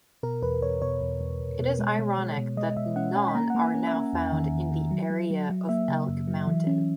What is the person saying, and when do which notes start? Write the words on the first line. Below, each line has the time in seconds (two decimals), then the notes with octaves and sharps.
It is ironic that none are now found in the area of Elk Mountain.
0.23 B2 A#4
0.42 E2 B4
0.62 E2 C#5
0.82 B2 C#5
1.01 E2
1.21 E2
1.40 E2
1.59 B2
1.79 G#3
1.99 B2
2.19 G#3
2.38 B2
2.57 G#3 D#5
2.77 B2 E5
2.96 C#4 F#5
3.16 C#4 G#5
3.28 B5
3.35 A#3 A#5
3.50 A#3 F#5
3.62 G#5
3.74 C#4
3.87 E5
3.94 A#3
4.13 E2
4.32 D#3
4.52 E2
4.72 D#3
4.91 F#3
5.10 F#3
5.31 F#3
5.50 F#3
5.69 A#3 E5
5.88 C#3
6.08 F#2
6.28 F#3
6.47 E3
6.67 C#4